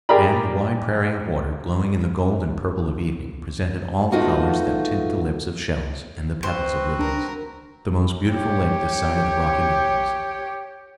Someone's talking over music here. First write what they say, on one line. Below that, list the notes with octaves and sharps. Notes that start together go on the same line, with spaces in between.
And the wide prairie of water glowing in the gold and purple of evening presented all the colors that tint the lips of shells and the petals of lilies--the most beautiful lake this side of the Rocky Mountains.
G4 G#4 A#4 D5 A#5 B5
E2 A3 D#4 F4 F#4
C4 F#4 B4 C5
D4 A#4
G4 C#5